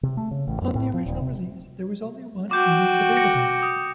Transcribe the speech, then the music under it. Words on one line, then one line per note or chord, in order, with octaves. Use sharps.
On the original release, there was only one remix available.
C3
A3
C#3
A1
F#2
A2
F3
D#1
C3
F#4 G5 D6 G6
A#6 C#7
D#6